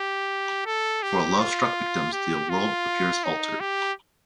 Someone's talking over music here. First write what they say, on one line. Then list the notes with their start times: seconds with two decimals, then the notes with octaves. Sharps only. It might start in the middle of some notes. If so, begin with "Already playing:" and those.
For love-struck victims, the world appears altered.
Already playing: G4
0.66 A4
1.03 G4
1.39 F4
2.13 G4
2.50 F4
3.24 D#4
3.60 G4